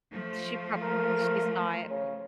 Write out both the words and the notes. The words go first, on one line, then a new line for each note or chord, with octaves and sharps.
She prob She saw it. Mm.
F3 A3
A#4
C#3